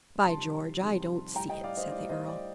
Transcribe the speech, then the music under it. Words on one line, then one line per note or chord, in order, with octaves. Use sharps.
"By George, I don't see it," said the earl.
F2 C3 D#3 G3 A5 C6
F2 C3 D#3 G3
A2 G3 G5 A#5
D#5 G5
D5 F5
C5 D#5
A2 G3 D5
C5 D#5
D5